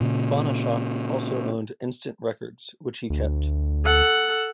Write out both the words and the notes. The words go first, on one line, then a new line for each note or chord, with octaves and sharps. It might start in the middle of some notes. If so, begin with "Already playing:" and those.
Banashak also owned Instant Records, which he kept.
A#2 C#3
D2
A4 F#5